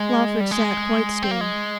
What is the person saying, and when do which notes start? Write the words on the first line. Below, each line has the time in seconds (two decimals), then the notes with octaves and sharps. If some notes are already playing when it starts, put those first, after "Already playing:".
Lawford sat quite still.
Already playing: G#3
0.40 G3
0.51 G#3
1.23 C4
1.31 A#3
1.41 G#3